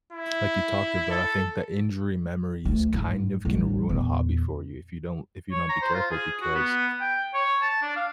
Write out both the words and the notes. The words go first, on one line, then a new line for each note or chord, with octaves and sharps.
like you talked about, I think the injury memories kind of can ruin a hobby for you if you don't if you don't be careful because,
E4
A4
D2
G#2
A1 G3
E2 A#2
C#5
A#5
C5
F4
G#4
F#4
B3
G5
C#5
A5
D4
F5